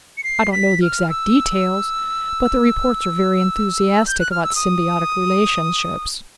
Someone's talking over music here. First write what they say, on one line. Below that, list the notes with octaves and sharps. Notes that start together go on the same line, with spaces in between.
I don't know the exact details, but the reports are very enthusiastic about symbiotic relationships.
C#7
C7
B6
F6
E6
G6
F#6
F6
E6
D#6